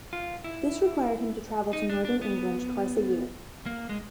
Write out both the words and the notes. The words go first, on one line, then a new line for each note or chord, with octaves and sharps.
This required him to travel to Northern England twice a year.
F4
E4
D#4
D4
D4
B3
A#3
G#3